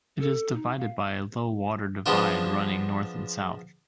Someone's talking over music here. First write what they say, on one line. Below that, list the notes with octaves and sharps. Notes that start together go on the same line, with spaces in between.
It is divided by a low water divide running north and south.
A4
D#4
F5
F3 G#3 B3 D4 F4